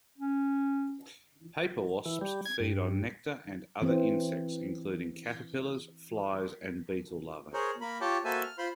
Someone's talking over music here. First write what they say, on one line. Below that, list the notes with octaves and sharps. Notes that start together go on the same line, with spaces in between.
Paper wasps feed on nectar and other insects, including caterpillars, flies, and beetle larvae.
C#4
E3
G3
G#6
G2
E3 C4
G#4 A#4 C5 C#5
A#3 A#4 B5
F4 G4 C#5 G5 A5 D6
A#3 F#4 A4 C5 E5 G#5
F6
F4 C5 B5 C6